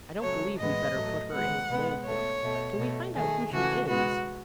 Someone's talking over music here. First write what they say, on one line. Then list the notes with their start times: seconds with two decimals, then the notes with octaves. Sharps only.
"I don't believe we'd better put her in the roll-book till we find out who she is."
0.22 C#3 F#3 A3 C#5
0.59 A2 E3 G#3 B3 D#5
0.95 A2 F#3 A3
1.32 D#3 G#3 B3 F#5
1.69 B2 G#3 B3
2.05 B2 A3 C#5
2.42 B2 A3
2.79 B2 A3
3.15 D#3 A3 G#4
3.51 C#3 E3 A3 F#4
3.88 B2 G#3 B3 F#4